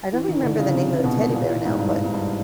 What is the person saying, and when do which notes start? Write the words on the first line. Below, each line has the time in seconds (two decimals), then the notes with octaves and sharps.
I don't remember the name of the teddy bear now, but
0.13 E3
0.28 D#3
0.43 D3
0.59 C#3
0.74 C3
1.04 B2
1.34 A#2
1.50 A2
1.65 G#2
1.79 G2
1.95 G2
2.05 G#2
2.14 G2